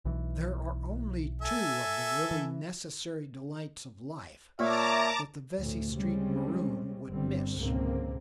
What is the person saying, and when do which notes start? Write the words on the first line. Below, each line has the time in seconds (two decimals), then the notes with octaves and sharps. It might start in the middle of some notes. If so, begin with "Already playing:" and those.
There are only two of the really necessary delights of life that the Vesey Street maroon would miss.
0.05 B1 E3
1.42 A4 E5 G#5
2.31 E3
4.59 A#2 C#5 E5 A5 A#5 D6
5.58 D2 A2
5.91 C#3 G3 G#3 C4 C#4
7.07 G1 D3 G3 C4
7.57 C#2 G#2 B2 D3 A#3 C4